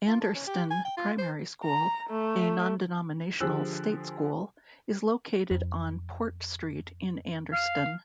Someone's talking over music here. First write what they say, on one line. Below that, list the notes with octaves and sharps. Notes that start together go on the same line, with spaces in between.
Anderston Primary School, a non-denominational state school, is located on Port Street in Anderston.
F4
A4
C#4
G4
G#5
G5
F4
C5
A#5
A3
D3 F3 G4 G#4 E6 F#6
F2
F5